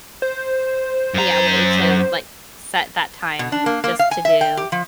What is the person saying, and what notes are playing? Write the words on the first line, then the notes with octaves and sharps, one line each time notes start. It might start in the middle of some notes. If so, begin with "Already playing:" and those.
yeah, way to, like, set that time just to do
C5
F#2 A#5
B2
D4
A#3
A#3
F5
G#5
E5
G5
G4
F3